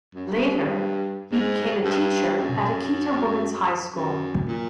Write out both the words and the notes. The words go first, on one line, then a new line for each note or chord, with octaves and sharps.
Later, he became a teacher at Akita Women's High School.
F#2
G2
G#2
G2
F#2
F#2
A#2